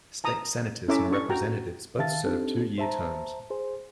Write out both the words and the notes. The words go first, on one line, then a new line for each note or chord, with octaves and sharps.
State Senators and Representatives both serve two-year terms.
A5 A#5 D#6
C#4 E4 A4 E5 A#5 D6
C#4 D4 C#6
F#4 G5 A#5
D#3 E5 F5 A5 A6
C4 D4 D#4 G4 A4
C5 E5 A5 A#5
G#4 C5